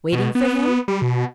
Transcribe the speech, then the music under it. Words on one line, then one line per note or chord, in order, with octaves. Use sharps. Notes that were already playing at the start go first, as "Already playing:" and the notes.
Waiting for him?
B2
B3
G3
B2